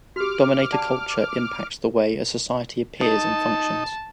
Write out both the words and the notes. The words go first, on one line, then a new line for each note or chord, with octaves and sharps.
Dominator culture impacts the way a society appears and functions.
F#4 G4 D6 F6
D5 F#5 A5
D#4 A5